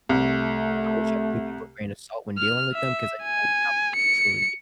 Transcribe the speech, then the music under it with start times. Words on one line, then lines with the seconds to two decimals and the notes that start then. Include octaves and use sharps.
I always try to give people a grain of salt when dealing with them 'cause I know how people can truly be.
0.09 C2 A3
2.38 F6
2.74 E5
3.23 G#5
3.96 C#7